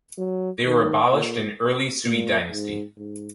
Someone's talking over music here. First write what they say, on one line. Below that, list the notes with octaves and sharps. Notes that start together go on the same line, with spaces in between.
They were abolished in early Sui dynasty.
F#3
D#3
A#2
A#2
G#2
G#2